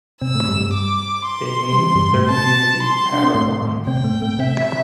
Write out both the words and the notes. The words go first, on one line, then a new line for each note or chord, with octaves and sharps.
They named their community Parowan.
C3 C4 E6
A2 A3
G2 G3
G2 G3
D6
C6
G3
E3
G2 G3
A2 A3
C3 C4 A5
C6
D4
C4
A2 A3
A2 A3
C3 C4 G5
A2 A3
A2 A3
C3 C4 E5